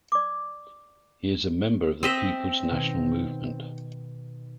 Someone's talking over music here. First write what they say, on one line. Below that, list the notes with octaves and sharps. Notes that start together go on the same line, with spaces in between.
He is a member of the People's National Movement.
D5 D6
C4 D#5 E5
B2 D#3 A#6